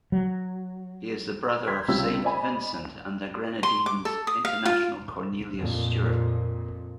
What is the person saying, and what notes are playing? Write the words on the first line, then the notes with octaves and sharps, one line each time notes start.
He is the brother of Saint Vincent and the Grenadines international Cornelius Stewart.
F#3
C6 G6 G#6 B6
C#2 C3 G3 C#4 F4 E6
C5 D5 D#5 G#5 B5
C6
D6
A4
D#6
F5
F4
F2 A#2